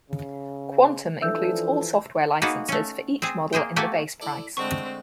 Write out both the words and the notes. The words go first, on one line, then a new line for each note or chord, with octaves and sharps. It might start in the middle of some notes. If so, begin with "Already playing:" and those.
Quantum includes all software licenses for each model in the base price.
C#3
E3 F3 D4 A4 E5 E6 G6
A#3 B3 D#4 F#4 G#4
A3 C#4
C4 G#4
A#3 G#4 C5 G5
A3 A#3 F#4 G4 G#5
E4 A4 D5
D3 G#3 A3 C4 C#6